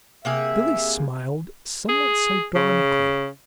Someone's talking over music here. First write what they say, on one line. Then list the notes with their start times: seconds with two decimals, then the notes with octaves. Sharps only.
Billie smiled somewhat sardonically.
0.25 C3 A#3 G#4 E5
1.89 G#4
2.56 C#3